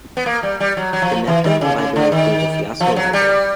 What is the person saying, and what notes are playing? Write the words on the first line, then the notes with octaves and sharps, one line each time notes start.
The Netpbm library includes a Fiasco library.
B3
A#3
G3
G3
F#3
F#3
F3
E3
D#3
C#3
C#3
D3
D#3
F3
F#3
G3